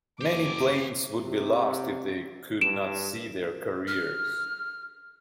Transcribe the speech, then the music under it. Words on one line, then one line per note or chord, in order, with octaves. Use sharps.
Many planes would be lost if they could not see their carriers.
F#1 G4 G#5 D6
C3
G2 D7 E7
F6